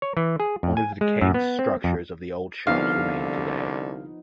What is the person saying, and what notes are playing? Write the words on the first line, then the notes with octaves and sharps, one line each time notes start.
Only the decaying structures of the old shops remain today.
C#5
E3
G#4
F2
G#5
G#3
F#2
B3
C4
F2
C2 D3 F3 B3 D#4 F5